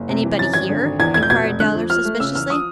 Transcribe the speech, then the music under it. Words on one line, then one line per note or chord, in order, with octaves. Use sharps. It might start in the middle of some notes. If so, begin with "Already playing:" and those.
'Anybody here?' inquired Dowler suspiciously.
Already playing: F#1
C3
E3
F#2 A6
G#1 G#6
D3
G#1
E2 G#6
F1 G#6
G6
B2 G#6
F1
D3 F#6
F2
F3 F6
A3
C#3 E6
E2 F6
F3 D#6